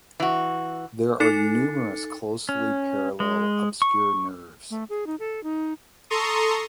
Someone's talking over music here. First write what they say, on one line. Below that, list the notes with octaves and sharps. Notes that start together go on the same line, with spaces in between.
There are numerous closely parallel obscure nerves.
E3 F#4
D#4 A4 A6 C#7
C#4
G#3
C#6
A3
G#4
D#4
A4
D#4
A4 A#5 C6 C#6 D#6